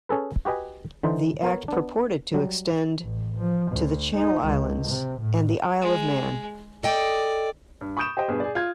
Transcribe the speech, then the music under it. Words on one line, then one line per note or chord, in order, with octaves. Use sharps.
The Act purported to extend to the Channel Islands and the Isle of Man.
C#4 G#4 A4 B4
F#4 G4 B4 D#5 G#5
D3 E3 D#4 C5
B3 A#4 C#5
B3 D4
F#3 G3
A1
F3
D2
D#4
C#2
C3
A2
G#3
A4 D5 D#5 G5
G2
B5 C#6 D#6 G6 D7 E7
G4 C5 D#5 G5
G2 B2 G#4 B4
G#4 D5
F4 G#6